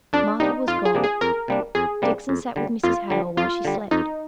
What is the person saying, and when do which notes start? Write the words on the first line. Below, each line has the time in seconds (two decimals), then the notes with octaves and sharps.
Martha was gone. Dixon sat with Mrs. Hale while she slept.
0.13 F2 D4
0.40 C3 G3 A#3 D4 D#4
0.68 F2 F4
0.85 G#4
0.95 C3 G3 A#3 D4
1.04 G#4
1.21 F2 A#4
1.48 C3 G3 A#3 D4
1.75 F2 G#4
2.02 C3 G3 A#3 D4
2.29 F2
2.56 D3 G3
2.84 F2 F4
3.10 D3 G3
3.37 F2 F4
3.65 D3 G3
3.91 F2 D#4